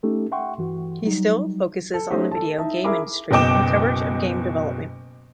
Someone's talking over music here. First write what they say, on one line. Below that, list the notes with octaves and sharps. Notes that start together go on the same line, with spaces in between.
He still focuses on the video game industry and coverage of game development.
A3 C#4 D#4 G4 A4
E5 F#5 G5 C6 C#6
G2 E3 F#4
F#3 G3 D#4
A4
A3 C#4 D#4 G4 C5
A4 A5
D#4 E4 E5 A5
E4 G#4 A#4 G#5 B5 D6
F#1 B2 D#5 G5 D6 E7